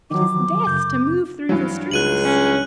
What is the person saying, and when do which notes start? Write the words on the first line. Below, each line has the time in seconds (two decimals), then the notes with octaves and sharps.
It is death to move through the streets!'
0.11 D#3 F3 F#3 D6
0.66 F#2 C#3 G6
1.49 G2 E3 F#3
1.91 C#2 F#6 D#7 F#7
2.25 C#4